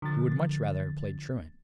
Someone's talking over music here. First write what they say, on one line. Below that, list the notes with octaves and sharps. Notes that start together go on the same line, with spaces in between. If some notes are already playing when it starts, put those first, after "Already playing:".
He would much rather have played truant.
D3 F3 A6